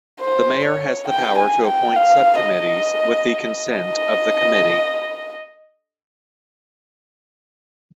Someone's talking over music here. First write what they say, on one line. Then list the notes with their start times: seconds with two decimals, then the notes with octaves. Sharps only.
The mayor has the power to appoint subcommittees with the consent of the committee.
0.21 C5
0.65 C#5
1.08 G5
1.39 G#5
1.68 G5
1.96 F5
2.41 D#5
3.73 D#5